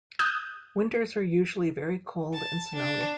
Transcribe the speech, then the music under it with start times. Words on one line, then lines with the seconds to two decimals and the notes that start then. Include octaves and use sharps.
Winters are usually very cold and snowy.
0.19 D#6 F#6 G6
2.33 A5
2.75 D4